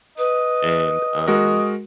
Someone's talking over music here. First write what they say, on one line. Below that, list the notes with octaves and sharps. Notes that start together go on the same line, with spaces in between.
And, um,
B4 D#5
G#3 F#4 A#4 D#5